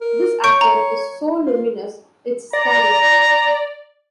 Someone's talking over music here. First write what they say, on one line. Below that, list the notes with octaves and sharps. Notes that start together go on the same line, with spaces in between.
This actor is so luminous it's scary!
A#4
C#5 C#6 G6 D7
A#5
F4
D5 A#5 A#6